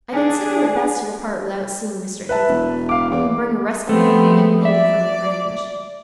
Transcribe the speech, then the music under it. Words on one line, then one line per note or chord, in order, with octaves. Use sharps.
I considered it best to depart without seeing Mr. Heathcliff, and bring a rescue for my young lady from the Grange.
D4 G#4
B4 E5 A5
E1
F5 D6
E2 D6
F3 A3 B3 C4
D5 E5